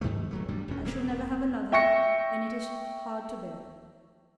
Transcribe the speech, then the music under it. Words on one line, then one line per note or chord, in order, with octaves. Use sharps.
I shall never have another, and it is hard to bear.
G2 D#3 F3 A3
D1 F#3 A3
G2 A#2 G3
D#1 D#2 C#4
E1 A#3 C4
E5 G5 C#6 A#6 C#7